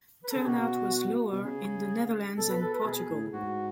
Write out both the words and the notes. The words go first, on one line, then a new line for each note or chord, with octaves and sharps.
Turnout was lower in the Netherlands and Portugal.
B4
A4
C#3 G#4
B2 F#4
B2
C#3 G#4
B2 A4
B4
A4
B4
B2 G#4
A2
G#2 F#4